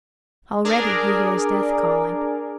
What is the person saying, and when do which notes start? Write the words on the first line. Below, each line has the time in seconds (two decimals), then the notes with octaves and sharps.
Already he hears death calling.
0.65 D4 G#4 A#4 D5